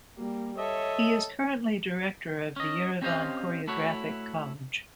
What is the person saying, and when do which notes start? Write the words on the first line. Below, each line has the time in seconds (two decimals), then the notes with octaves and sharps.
He is currently director of the Yerevan Choreographic College.
0.16 G3 A#3
0.58 A4 C#5 D#5 E5
2.56 C#4 D#5
3.02 C4 C#4 G4 C5 D#5 F5
3.67 A3 E4 F#4 C#5